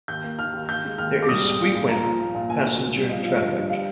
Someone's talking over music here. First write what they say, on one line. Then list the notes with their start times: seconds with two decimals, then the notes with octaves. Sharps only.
There is frequent passenger traffic.
0.08 D#2 G6
0.24 A#3
0.38 D#3 F6
0.53 D#2
0.69 D#2 G6
0.84 G#3
0.98 D#2 F6
1.14 G#3
1.22 D6
1.29 G3 D#6
1.43 C2
1.59 A#2
1.75 A#2
1.89 A#2 A#5
2.05 F3
2.19 A#2
2.34 A#2
2.49 A#3 G#5
2.64 D2
2.79 A#3
2.94 G3
3.09 F3 D#5
3.24 F3
3.39 D3 D#5
3.55 G2
3.70 G3 F5